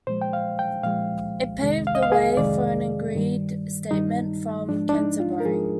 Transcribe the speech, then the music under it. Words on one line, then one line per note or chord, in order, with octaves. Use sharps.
It paved the way for an agreed statement from Canterbury.
A#2 F3 G#3 C5
G5
F5
G5
A#2 F3 G#3 F5
F2 C3 D#3 G#3
F5
D#5
F5
G#4
F2 C3 D#3 G#3 D5
G2 D#3 G3
G2 D#3 G3 D#4
G#2 F3 G#3 D4
D4
D#4
F4
A#4
G#2 F3 G#3 G#4